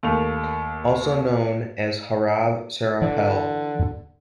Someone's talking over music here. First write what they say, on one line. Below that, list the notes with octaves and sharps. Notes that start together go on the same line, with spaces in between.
Also known as Harab Serapel.
D#2 A3 A#3 F7
D3 E3